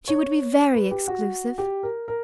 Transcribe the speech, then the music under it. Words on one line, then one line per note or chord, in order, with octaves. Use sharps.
She would be very exclusive.
C#5
B4
G4
F#4
G4
A#4
A#4